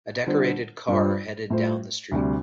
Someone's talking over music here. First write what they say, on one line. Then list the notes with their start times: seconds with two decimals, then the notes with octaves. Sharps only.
A decorated car headed down the street.
0.26 D3 G3 F4 C5
0.88 G2 G3 F4 C5
1.50 A2 A3 F4 C5
2.12 D2 C3 G3